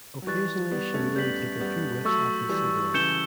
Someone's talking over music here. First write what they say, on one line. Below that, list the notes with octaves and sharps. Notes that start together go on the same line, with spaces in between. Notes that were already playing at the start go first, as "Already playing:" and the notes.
Occasionally she would only take a few whiffs at his cigarette.
F#3
E3 G3 C#6 F#6 A6
G3 B3
A3 C#4
G3 B3 G6 B6 F#7
G3 B3
F#3 A3 C#6 E6 A6
E3 G3
C#3 E3 G6 C#7 E7 G7